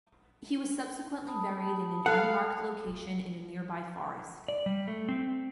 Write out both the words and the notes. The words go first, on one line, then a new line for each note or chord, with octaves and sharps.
He was subsequently buried in an unmarked location in a nearby forest.
A5 B5 D#6
A4 F5 F#5
D5
G3
A3
C4